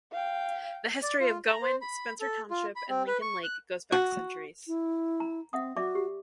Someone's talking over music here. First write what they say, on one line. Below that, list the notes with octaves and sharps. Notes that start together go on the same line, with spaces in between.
The History of Gowen, Spencer Township and Lincoln Lake goes back centuries.
F5 G5
D5
F4
A#5
C5
B5
A4
F4
B5
C4
B4
C#6
F#6
F#4
E4
A#5
C4 E5 F#5 D#6
F#4 D5 E5 D6
G4